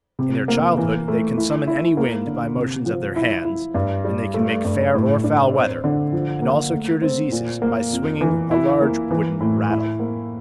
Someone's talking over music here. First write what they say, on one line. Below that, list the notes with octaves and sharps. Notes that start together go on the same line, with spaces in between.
In their childhood they can summon any wind by motions of their hands, and they can make fair or foul weather, and also cure diseases by swinging a large wooden rattle.
C3
A#3
E3
A3
E4
E4
A#3
D3
C3
F3
E4
E4
G2
G3
A3
G2
A2
D4
C4
D3
F3
A#3
A3
C4
A#2
A#3
F2
E3
E4
A#3
E3
A2
E4
A#3